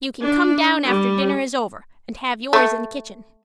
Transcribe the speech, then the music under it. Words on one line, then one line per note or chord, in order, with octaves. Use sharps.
"You can come down after dinner is over and have yours in the kitchen."
D4
G3
A3